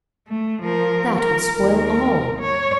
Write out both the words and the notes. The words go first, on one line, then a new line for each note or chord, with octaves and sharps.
'That would spoil all.
A3
F3 A#4
A#4
D#2 A#4
C#5